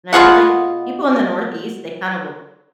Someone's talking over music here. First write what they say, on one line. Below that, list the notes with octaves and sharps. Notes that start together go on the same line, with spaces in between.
and I feel like people in the Northeast, they kind of will
B2 F4 G#4 F#5